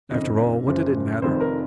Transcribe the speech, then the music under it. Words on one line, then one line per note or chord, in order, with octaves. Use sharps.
After all, what did it matter?
F#1 F2 D#3 D#5
F#1 F#2 F3
F1 F2 D#3 C5
A#4